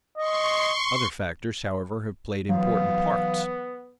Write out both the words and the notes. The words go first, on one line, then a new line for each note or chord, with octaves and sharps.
Other factors, however, have played important parts.
D#5 C6 C#6
E3 F#3 B3 F5